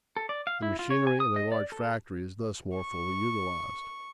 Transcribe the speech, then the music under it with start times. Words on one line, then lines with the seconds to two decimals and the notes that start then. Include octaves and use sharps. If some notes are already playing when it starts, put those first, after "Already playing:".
The machinery in a large factory is thus more fully utilized.
0.17 A4
0.29 D5
0.47 F5
0.62 E4
0.79 F4
0.90 C#5
1.07 G#5
1.20 D#6
1.36 D#5
1.52 D5
1.72 A4
2.77 C#6